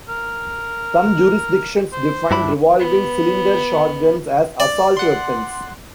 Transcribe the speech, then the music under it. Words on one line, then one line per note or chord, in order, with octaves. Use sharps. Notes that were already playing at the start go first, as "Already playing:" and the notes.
Some jurisdictions define revolving cylinder shotguns as assault weapons.
A#4
C5
G2 D4 E4 B5
B3
D5
F#5 C6